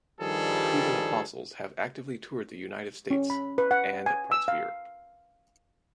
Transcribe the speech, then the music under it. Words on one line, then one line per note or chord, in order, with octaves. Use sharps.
Heathen Apostles have actively toured the United States and parts of Europe.
G2 D#3 F3 G3 G#4 A4
C#4
B5
B4
F#5
G#5
E6
F5